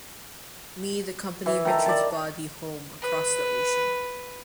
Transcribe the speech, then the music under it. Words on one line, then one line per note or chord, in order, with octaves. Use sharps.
Mead accompanied Richards's body home across the ocean.
E3
D#3 A4 A#5
D5 A5
B4